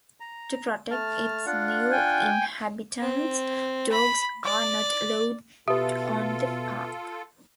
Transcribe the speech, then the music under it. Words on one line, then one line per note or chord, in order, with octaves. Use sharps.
To protect its new inhabitants, dogs are not allowed on the park.
A#5
A3 A5 F6
D4 F4 F#5
G5 G#5
C4
B5
D5
B2 F4 G4 A4 B4 E5